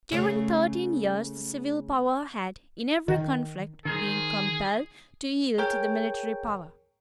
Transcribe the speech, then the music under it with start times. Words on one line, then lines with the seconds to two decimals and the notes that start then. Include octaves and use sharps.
During thirteen years the civil power had, in every conflict, been compelled to yield to the military power.
0.12 C#3 A3 C#4
3.08 D#3
3.85 D#3 G#4 A#4 C5
5.58 G#4 A#4 C#5 G5